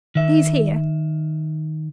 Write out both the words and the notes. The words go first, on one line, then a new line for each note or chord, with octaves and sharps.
He's here.
D#3 E5